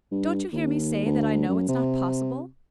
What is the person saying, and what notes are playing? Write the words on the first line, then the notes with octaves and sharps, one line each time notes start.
Don't you hear me say that I know it's not possible?
G2
D#2
D2
F#2
C3